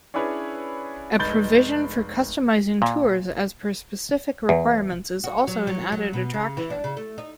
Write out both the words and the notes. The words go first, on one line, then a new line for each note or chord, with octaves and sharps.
A provision for customising tours as per specific requirements is also an added attraction.
C#4 D4 E4 G#4 B4 C#5
F1 G#3 B5 G6 A6 G7
A#2
E2
F#4
F#3
F#3
F#3
B2
C#3
E3
D4
C#3
A3
D#4